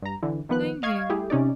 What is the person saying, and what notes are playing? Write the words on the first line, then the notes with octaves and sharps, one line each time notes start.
Thank you.
G2 A#5
D3 E3
D#3 F3 B3 B4 F#6
D#5 F5 C#6 G#6
A3 E4 G4 G#4
C3 C#4 D#4 D5